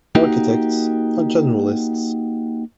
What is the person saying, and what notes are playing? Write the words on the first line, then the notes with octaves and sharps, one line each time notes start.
Architects are generalists.
A#3 D#4 F#4 G4